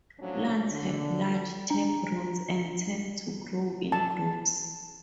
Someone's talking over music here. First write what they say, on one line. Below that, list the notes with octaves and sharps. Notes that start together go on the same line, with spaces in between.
Plants have large taproots and tend to grow in groups.
A2 F3 F#3 C#4 D4
D3
D4 A#5
A5